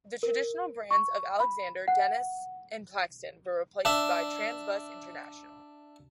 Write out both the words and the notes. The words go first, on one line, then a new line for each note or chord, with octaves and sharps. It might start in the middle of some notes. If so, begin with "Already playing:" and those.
The traditional brands of Alexander, Dennis and Plaxton were replaced by TransBus International.
A#4
C#6
B5
F#5
D4 E5